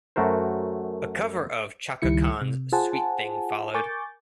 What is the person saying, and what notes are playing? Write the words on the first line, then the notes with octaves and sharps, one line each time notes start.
A cover of Chaka Khan's "Sweet Thing" followed.
F#2 A3 F#4 A#4 C5
C#2 D#3 G3 E4 C#7
C3
F4 G#4 C5 F#5 G#5 A5
A#4 G#5 C#6 D6 G6 A6